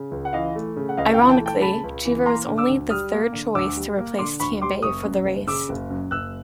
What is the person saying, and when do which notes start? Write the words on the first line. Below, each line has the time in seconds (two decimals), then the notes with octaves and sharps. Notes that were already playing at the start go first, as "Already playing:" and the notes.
Ironically, Cheever was only the third choice to replace Tambay for the race.
Already playing: C#3
0.11 C#2
0.25 F#5
0.33 E3 D#5 F5
0.55 A3
0.76 C#3
0.89 F#5
0.97 C#2 D#5 F5
1.13 F5 G5
1.20 E3
1.29 G5 A5
1.40 A3
1.46 G5 A5
1.61 C#3 A5 B5
1.84 C#2
2.05 E3
2.26 A#3 A#5 C6
2.47 D3
2.58 D6 E6
2.69 D2
2.90 G3 D#6 F6
3.12 A#3
3.33 D3
3.55 D2 D6 E6
3.76 G3
3.98 A#3
4.18 D3 C6 D6
4.40 D2 B5 C#6
4.62 G3 C6 D6
4.83 F#1 C#6 D#6
5.05 F#2
5.25 F#1
5.47 C#3 D6 E6
5.69 F#1
5.90 F#2
6.11 F#1 E6 F#6